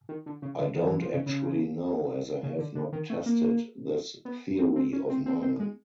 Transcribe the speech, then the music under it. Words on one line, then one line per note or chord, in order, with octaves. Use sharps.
I don't actually know, as I have not tested this theory of mine.
D#3
D3
C#3
D3
D#3
E3
F3
C#3
C#3
C#3
D3
D3
D#3
A3
A#3
B3
C4
C4
C#4
C4
C4
C4
G#3